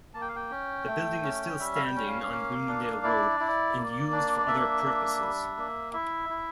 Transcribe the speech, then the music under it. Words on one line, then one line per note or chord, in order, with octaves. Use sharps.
The building is still standing on Bloomingdale Road and used for other purposes.
A#3 A5
G5
F5
G5
C#4
A3
C#4
G3 E5
F5
G5
C#4
F5
A#3
D4
E4 D5
E4
A#3
D4
A#3 E5
D4
G3
A#3
E4 E5
E4